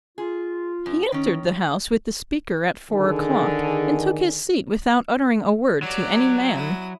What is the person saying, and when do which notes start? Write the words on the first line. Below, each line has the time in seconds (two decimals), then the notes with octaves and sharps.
He entered the House with the Speaker at four o'clock, and took his seat without uttering a word to any man.
0.18 F4 G#4
0.86 F#2
1.12 D#3 C#4
2.91 D3 D#3 G#4
5.83 F#3 G4 D5
6.54 E4 D#6